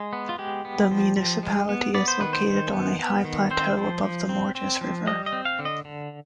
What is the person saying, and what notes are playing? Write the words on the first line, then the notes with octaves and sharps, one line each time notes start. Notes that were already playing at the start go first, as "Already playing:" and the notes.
The municipality is located on a high plateau above the Morges river.
Already playing: G#3
B3
F4
G#3 G4
B3
F3
F3
G#3
B3
B3 D5
C5
D#3 B4
C5
D#3
B3
B3
D#3
C4 C5
F3
F3
C4
C4
F3
G3 D#5
D#5
C4
F5
D3
D#5
D3